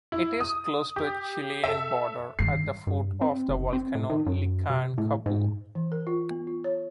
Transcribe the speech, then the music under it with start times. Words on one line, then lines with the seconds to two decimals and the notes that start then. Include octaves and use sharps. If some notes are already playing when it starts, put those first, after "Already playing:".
It is close to the Chilean border, at the foot of the volcano Licancabur.
0.12 E4
0.41 D#6
0.96 G4
1.64 A4 E5
2.39 G2 D#3 C7
2.87 G2
3.21 C4
3.49 F#1
3.73 C4
3.95 A2
4.10 D#3
4.26 F#2
4.70 C3
4.98 A2
5.26 G#2
5.75 E3
5.92 A#4
6.07 F4
6.31 B3
6.47 F4
6.64 C#5